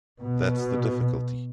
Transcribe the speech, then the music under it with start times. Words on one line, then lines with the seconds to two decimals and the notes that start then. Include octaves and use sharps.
That's the difficulty.
0.22 B2